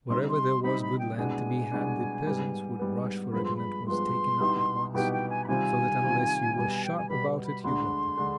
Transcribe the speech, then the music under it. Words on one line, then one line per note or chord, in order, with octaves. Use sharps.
Wherever there was good land to be had, the peasants would rush for it and it was taken up at once, so that unless you were sharp about it you got none.
C3 G3 C4 D#4 C6
C6
C3 G3 C4 D#4 B5
B5
G5
C2 B2 G#3 D4 G#5
C2 B2 G#3 D4
G#2 G3 B3
G#2 G3 B3
G2 F3 G#3 B3 B5
C6
B5
G2 F3 G#3 B3 C6
C2 B2 B3 D#4 G4
C2 B2 B3 D#4 G4 G5
G5
G#5
B5
C3 D#3 G3 C4 F4 G#5
C3 D#3 G3 C4 F4
B2 G3 B3
G5
G#5
B2 G3 B3 B5
B5
D2 D3 G#3 D4 C6
D3 G#3 D4